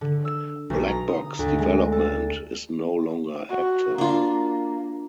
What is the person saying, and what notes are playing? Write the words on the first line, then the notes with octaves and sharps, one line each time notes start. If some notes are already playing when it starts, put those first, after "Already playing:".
Blackbox development is no longer active.
D3
E6
B1
A#5
D#6
D2
G#3
A4
F#4
A#3 D4 F4